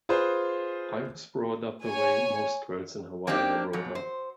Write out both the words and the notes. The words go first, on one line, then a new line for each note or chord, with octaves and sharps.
I was brought up the way most girls in Hawaii are brought up.
F4 G#4 B4 C5
C#5 G#5
A#3 C4 D4 D#4 G4
F2 G#2 F#3
C5